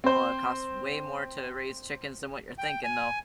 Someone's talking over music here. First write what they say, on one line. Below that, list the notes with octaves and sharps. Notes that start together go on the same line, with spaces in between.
Oh, it costs way more to raise chickens than what you're thinking though.
C4 C5
G5
G#5